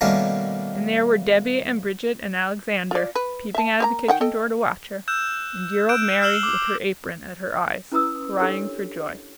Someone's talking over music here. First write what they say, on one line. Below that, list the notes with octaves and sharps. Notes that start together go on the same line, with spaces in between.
And there were Debby and Bridget and Alexander, peeping out of the kitchen door to watch her, and dear old Mary with her apron at her eyes crying for joy.
B2 D#3 G3 A3 A#3 C#4
F4 D5
B4
E5 A5
A#3 B4 A#5
D#3 F#5 G5
A4 D#5 G5
E6 F#6 G6 E7
E6 F#6 G6 D7 E7
E6 F6 C7 E7 F#7 G7
D6
C#4 E4 B4 A#5 D#6 E6
D4 G4 A4 A#4 C#5